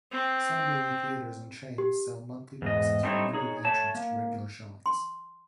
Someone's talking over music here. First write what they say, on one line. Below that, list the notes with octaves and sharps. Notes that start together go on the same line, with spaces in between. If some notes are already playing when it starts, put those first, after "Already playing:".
Some movie theaters and chains sell monthly passes for unlimited entrance to regular showings.
C4
G4
E2 G#2 D#5
G3 A3 C4 D4 D#4 C#5
D#4 G#4 C#5
A3 C#5 A5
A#3
C6